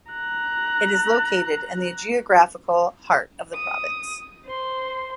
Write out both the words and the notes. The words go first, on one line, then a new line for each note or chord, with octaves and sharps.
It is located in the geographical heart of the province.
A#5 F#6
D#6
C5 C6